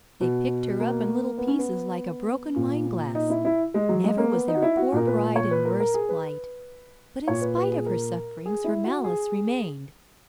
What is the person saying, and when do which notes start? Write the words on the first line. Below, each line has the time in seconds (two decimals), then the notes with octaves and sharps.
They picked her up in little pieces, like a broken wineglass; never was there a poor bride in worse plight. But in spite of her sufferings her malice remained.
0.21 B2
0.80 A#3
1.38 B3
1.48 C#4
1.58 B3
2.56 A#2
3.15 D#4
3.30 E4
3.45 E4
3.74 G#3
3.89 F#3
4.04 G#3
4.18 A#3
4.33 B3
4.48 D#4
4.55 F#4
4.62 E4
4.77 F#4
4.92 A#2 A#4
5.07 B4
5.36 C#5
5.51 B4
5.65 A#4
5.80 A#4
5.94 G#4
6.09 B4
7.28 A#2 C#5
7.42 B4
7.57 B4
7.72 G#4
7.86 A#4
8.46 G#4
8.64 E4
8.84 F#4
9.04 G#4